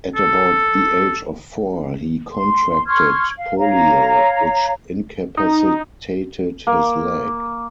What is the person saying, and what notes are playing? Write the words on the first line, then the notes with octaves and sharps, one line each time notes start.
At about the age of four he contracted polio, which incapacitated his leg.
A4
C6
C6 C#6 F6 G#6
F5
C#5 F5 A#5
D#4
A#3